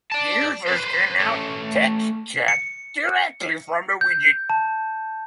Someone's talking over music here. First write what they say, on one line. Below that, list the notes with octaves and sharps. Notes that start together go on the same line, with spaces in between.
Users can now text-chat directly from the widget.
D5 A5
B4 C5
A3 C#4
C#7
G6
A5